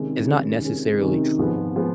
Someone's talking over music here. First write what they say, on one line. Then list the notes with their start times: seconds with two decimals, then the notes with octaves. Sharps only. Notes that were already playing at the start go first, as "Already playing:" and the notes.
is not necessarily true.
Already playing: C3 D#3 G#3 C#4
0.28 C3 D#3 G#3 C#4
0.65 C3 D#3 G#3 C#4
1.01 C3 D#3 G#3 C#4
1.38 G#2 F3 G#3 B3
1.76 F3 G#3 B3